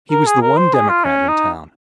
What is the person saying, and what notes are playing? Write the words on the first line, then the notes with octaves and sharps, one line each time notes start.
He was the one democrat in town.
A#4
G#4
A#4
C5
G#4
F4
C#4
D#4